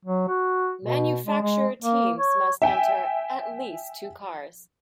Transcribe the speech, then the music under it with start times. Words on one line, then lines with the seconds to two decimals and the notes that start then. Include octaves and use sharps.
Manufacturer Teams must enter "at least" two cars.
0.05 F#3
0.28 F#4
0.85 B2
1.26 G#3
1.43 G#3
1.82 A#3
2.19 C#5
2.62 E5 G5 G#5